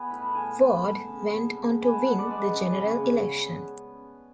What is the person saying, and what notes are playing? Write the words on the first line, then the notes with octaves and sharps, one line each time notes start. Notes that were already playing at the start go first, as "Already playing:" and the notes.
Ward went on to win the general election.
Already playing: B3 G#5
A2 B5
A5
A2 G#5
A2
B3 A5
C#3
B3
C#3
B3 G#5
A5
B3 F#5
D5
G#3 B4
C#3
C#3
C#3